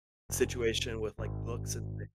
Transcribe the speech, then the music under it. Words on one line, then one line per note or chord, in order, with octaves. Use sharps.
situation with, like, books and things,
F1
G#1